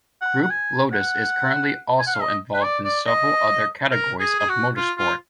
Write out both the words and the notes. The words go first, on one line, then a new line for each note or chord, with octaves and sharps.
Group Lotus is currently also involved in several other categories of motorsport.
F#5
F#5
G#5
F#5
G#5
F#5
F5
D#5
B4
D5
D5
D#5
A#4
G#4
G#4
F#4
F4
F4